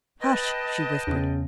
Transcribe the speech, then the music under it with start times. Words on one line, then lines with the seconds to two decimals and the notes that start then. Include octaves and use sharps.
"Hush!" she whispered.
0.22 B4 D#5 G5 A5
1.07 E2 C#3